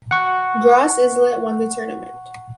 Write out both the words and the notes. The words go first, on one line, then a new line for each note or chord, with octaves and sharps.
Gros Islet won the tournament.
F#5 C#6